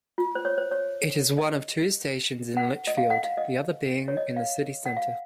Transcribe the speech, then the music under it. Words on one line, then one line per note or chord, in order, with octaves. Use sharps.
It is one of two stations in Lichfield, the other being in the city-centre.
F4
C5
C#5
C5
C#5
D#5
F#5
D#5
F5
F#5
F5
D#5
C#5
D#5
F5
F#5
F5